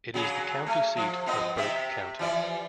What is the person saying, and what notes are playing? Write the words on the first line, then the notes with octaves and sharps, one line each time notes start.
It is the county seat of Burke County.
C#3 F#3 G#4
A3
F3
F3 B3 D#5
C3 G4 E5
E3 F3 D5